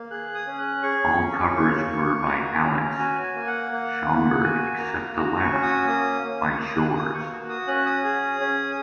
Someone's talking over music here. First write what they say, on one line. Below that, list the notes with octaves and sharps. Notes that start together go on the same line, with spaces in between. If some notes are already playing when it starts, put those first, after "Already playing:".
All covers were by Alex Schomburg except the last, by Shores.
Already playing: A#3
G#4 F#6
D#6
C#4
F#6
G#4 C#6
C#4
A#3
A#3
F#4 A#5
C#4
F#4 G#5
G#5
A#3
F#5
A#3
A#3
F#4 G#5
A#3 A#5
F#4 A#5
C#6
C#4
D#6
A#3 D#6
A#3
C#6
A#3 D#6
F#6
F#6
A#3 D#6
C#6
F#4
D#6
C#4 F#6
D#6
G#4
C#4